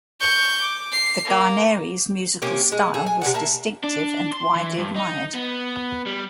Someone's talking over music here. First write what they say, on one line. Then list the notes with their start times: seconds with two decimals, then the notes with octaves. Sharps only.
The Guarneri's musical style was distinctive and widely admired.
0.21 C#6 G6
0.61 D6
0.92 C7
1.25 A#3
2.42 C3 A#3 C#4 G4
2.72 G#3
2.94 G#4 A4
3.06 G#5
3.22 C3 C#4 D5 F#5
3.34 A#3 E5 A5
3.84 D4
4.33 C6
4.55 E3
4.78 G2
4.96 D#4
5.35 B3
6.06 G3